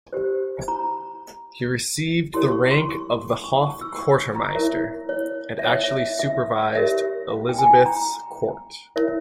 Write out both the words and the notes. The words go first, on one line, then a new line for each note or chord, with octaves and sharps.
He received the rank of the hof-quartermeister; and actually supervised Elizabeth's court.
G4 C5
A#5
E4 G4 A#4 C#5 C6
C#6
C6
C#6
C#6
C#6
E6
C#6
C#6
A#5
E4 A#4 C#5 E5
C#5
E5
C#5
E5
E5
E5
G4 A#4 C#5 E5
F5
G5
G#5
G5
A#5
E4 A#4 C#5 E5